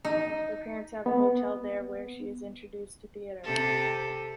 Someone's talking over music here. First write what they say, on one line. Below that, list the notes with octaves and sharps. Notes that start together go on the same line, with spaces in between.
Her parents have a hotel there where she is introduced to theater.
D#4
B3
C3 G4 A4